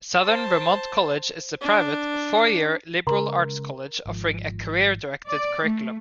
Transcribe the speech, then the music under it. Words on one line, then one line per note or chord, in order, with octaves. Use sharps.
Southern Vermont College is a private, four-year, liberal arts college offering a career-directed curriculum.
C5 A5
D4
C#3 G#3 A#4 A#5 C6
G#1 G#2 F3
D5
A3